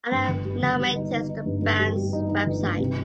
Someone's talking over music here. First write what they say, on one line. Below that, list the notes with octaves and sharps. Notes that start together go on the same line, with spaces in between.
Adam now maintains the band's website.
G2
G1
G3
G1
G3
D#4
D#4
D#4
G2
G2
G3
G3
D#4
D#4
G1
G2
C3